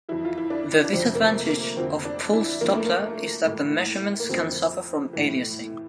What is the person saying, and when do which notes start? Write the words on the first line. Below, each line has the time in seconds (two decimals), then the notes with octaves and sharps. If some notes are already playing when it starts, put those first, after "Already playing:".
The disadvantage of pulsed Doppler is that the measurements can suffer from aliasing.
0.09 F2 E3 E4
0.25 F4
0.38 E4
0.50 D4
0.84 D4
0.93 F2 C3 F3 C4
1.15 A#3
1.21 A3
1.49 A#3
1.77 F2 D3 F3 C4
2.05 D4
2.33 E4
2.61 G2 F3 A#3
2.74 A3
2.86 A#3
3.45 A2 E3
4.20 A#3
4.29 F2 D3 F3 C4
5.13 A2 E3